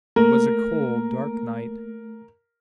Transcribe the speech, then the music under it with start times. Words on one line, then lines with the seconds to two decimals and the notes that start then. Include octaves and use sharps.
It was a cold, dark night.
0.16 A3 A#3 A#4